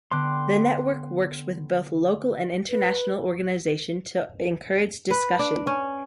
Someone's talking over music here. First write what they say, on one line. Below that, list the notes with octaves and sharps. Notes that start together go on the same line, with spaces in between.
The network works with both local and international organization to encourage discussion.
D3 B3 G5 C6 D6 F#6
B4
B4
D4
C#4